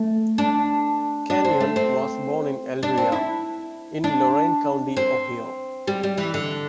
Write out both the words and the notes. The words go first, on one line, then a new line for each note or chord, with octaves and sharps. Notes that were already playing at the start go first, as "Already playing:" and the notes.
Kenyon was born in Elyria, in Lorain County, Ohio.
Already playing: A3
D4
D4
C4
A3
C4
D4
C4
E4
D4
C4
G3
G3
E3
D3